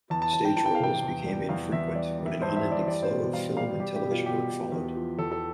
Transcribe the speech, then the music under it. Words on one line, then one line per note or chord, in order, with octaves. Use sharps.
Stage roles became infrequent when an unending flow of film and television work followed.
E2 A5
A5
E2 A5
G5
E3 A5
G5
F5
C3 G5
E2
G3
E2 F5
E2 E5
G3 D5
G3
E5
G2 C5
E5
E3
D5
G3 D5
C5
B2
G3 F5
G3 F5
G3 G4
G4
B2
F4
B2 G4
B2
E2
F3
E2 A4
A4